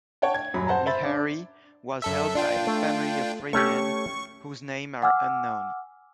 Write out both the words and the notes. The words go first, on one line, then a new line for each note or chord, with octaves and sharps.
Meharry was helped by a family of freedmen, whose names are unknown.
C#5 F#5 G5 A5
G#6
D#1 F#2 F#3 B5
C5 F#5 A5 A#5
C5 E5 B5 A6
D4
F#2 A4 E5
D4 F4 D5 G5
A3
A3 C#4 G4 C#6
F#5 G#5 D6 E6 F6